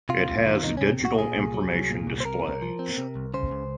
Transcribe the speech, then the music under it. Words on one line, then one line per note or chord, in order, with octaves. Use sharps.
It has digital information displays.
C3 F4
C2
D#3
C2 D#4
C3 C#4
C2 F#4
A#2 G#4
C2
F#3
C2
A#2
C2
C5
C3 A#4
C2
F3
C4
C3
C2
C#3 C5
C#2